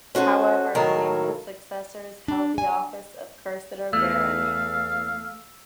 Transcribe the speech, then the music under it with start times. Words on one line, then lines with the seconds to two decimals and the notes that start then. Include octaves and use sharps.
However, he and his successors held the office of Cursitor Baron.
0.15 C#4 F#4 A4 C5
0.75 A2 D#3 F#3 A4 A#4 F5
2.28 D4
2.58 G#5
3.93 E2 A3 F5 E6